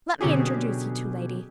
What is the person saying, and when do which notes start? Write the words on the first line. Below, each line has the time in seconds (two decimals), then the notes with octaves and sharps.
Let me introduce you two ladies.
0.21 B2 D3 F#3 C#4 G4 G#4